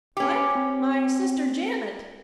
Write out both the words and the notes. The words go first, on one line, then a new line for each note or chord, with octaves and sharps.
"What! my sister Janet?"
C#4 G4 D6
C4